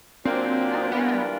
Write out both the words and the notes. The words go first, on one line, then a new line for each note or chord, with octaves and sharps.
Oh, yeah,
A#2 F#3 A#3 C4 D4 G4
E3 G3 A#3 B3 D4 F4